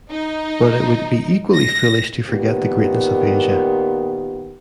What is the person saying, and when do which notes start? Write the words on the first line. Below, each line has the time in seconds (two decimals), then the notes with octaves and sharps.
But it would be equally foolish to forget the greatness of Asia.
0.11 D#4
1.55 A#6
2.29 A#2 D#3 B3 F4 G4